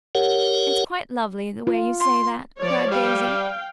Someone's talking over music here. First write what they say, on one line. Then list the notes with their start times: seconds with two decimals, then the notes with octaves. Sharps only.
"It's quite lovely, the way you say that!" cried Daisy.
0.15 G4 A#4 C#5 F#5
1.67 F4
2.00 C6
2.58 F3 C#5 D5
2.92 G3 F5 G5